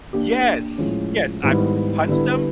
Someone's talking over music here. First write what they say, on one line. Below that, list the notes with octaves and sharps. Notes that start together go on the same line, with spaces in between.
Yes, yes, I punched him,
A#3 D4 G4
A2 F3 G#3 C#4
G#2 D#3 G3 B3 E4
D3 G3 B3 E4